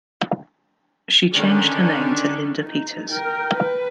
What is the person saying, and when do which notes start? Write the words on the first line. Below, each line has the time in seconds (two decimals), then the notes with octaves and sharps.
She changed her name to Linda Peters.
1.33 D3 D#3 C#4 D4
2.60 D#4
3.08 A#4 G5
3.54 B4